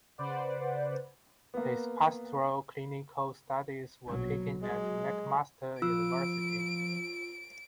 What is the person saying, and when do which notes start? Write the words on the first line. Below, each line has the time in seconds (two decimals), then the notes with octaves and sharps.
His pastoral clinical studies were taken at McMaster University.
0.18 C#3 B4 C5 D5 F#5
1.54 A#3 B3
4.08 A#1 B2 F#3
4.62 F#3 G#3
5.82 F3 F4 E6 D7